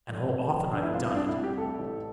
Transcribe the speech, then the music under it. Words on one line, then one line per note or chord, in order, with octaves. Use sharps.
And how often I've done it!
F1
F1
F1
B3 D4
E4
C2 F4
E4
C2 D4
E4
C2
G4
A3 A4
A1